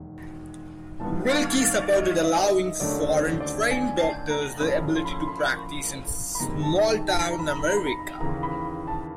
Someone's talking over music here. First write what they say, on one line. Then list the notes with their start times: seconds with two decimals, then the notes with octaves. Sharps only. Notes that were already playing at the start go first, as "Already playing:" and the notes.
Willkie supported allowing foreign-trained doctors the ability to practice in small-town America.
Already playing: E1 D#2 D#3 F#3
1.00 G1 G2 D#3 G3 B3 A5
1.31 F5
1.61 F5
1.90 D#5
2.24 E5
2.35 D#5
2.80 D#2 D3 F#3 A3 C#4 D5
3.10 C5
3.40 D5
3.71 G#5
4.00 A5
4.30 A#5
4.60 A2 F3 A3 C#4 E4 B5
4.96 C6
5.05 B5
5.21 C6
5.28 B5
5.50 B5
6.35 B5
6.40 F#1 F2 C3 D#3 G#3 A#5
6.63 A5
7.08 A5
7.31 A#5
7.39 B5
7.49 A#5
7.59 B5
7.68 A#5
7.77 B5
7.86 A#5
8.20 D#2 C#3 E3 A#5
8.43 B5
8.87 A5